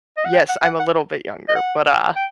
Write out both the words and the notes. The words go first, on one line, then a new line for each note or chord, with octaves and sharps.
Yes, I'm a little bit younger but, uh
D#5
F#5
G5
F#5
F#5
F#5
D#5
F#5
G5